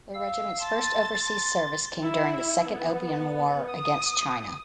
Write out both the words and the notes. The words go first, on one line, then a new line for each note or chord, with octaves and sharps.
The regiment's first overseas service came during the Second Opium War against China.
F5 E6
A5 C6 A6
C6
E4
B3
D#6